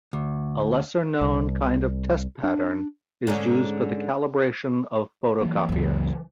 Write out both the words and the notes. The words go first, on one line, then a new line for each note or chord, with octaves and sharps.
A lesser-known kind of test pattern is used for the calibration of photocopiers.
D2
C2
D4
G#2 D3 C#4
E3 F#3 A#3
C#2 F#2